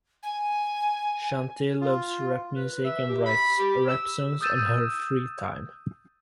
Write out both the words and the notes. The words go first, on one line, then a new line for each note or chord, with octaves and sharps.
Shanti loves rap music and writes rap songs in her free time.
G#5
F4
B4
E5
G4
B5
G4
E6
D#6 E6 G6 A6 D#7 E7